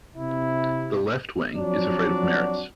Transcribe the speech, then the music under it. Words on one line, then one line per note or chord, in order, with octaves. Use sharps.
The left wing is afraid of Meretz.
C3 E4
F3 F#3 C4 D4 F#4 D5